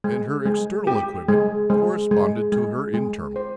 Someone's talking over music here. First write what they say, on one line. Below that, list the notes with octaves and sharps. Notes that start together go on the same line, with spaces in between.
And her external equipment corresponded to her internal.
G#3
G#3
G4
G#3
G#3
G#3
G#3
G#3
C5